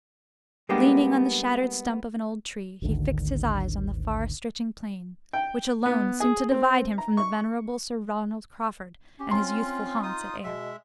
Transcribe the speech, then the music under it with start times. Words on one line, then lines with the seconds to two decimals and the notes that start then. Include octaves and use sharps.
Leaning on the shattered stump of an old tree, he fixed his eyes on the far-stretching plain, which alone seemed to divide him from the venerable Sir Ronald Crawford and his youthful haunts at Ayr.
0.69 G3 G#3 A#3 B3 D4 G4
2.82 G#1 D2 D3 D#3
5.33 G5
5.86 B3
6.20 G#4
6.51 C4
6.98 A#5
7.17 C#6
9.20 C#4 G4
9.31 C4 C#4 F4 C6
10.03 D#4 F4 D#6
10.44 B2 G#3 E5